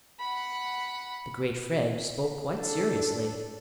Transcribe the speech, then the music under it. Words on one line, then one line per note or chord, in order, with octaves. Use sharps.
The great Fred spoke quite seriously.
F#5 B5
D4 A4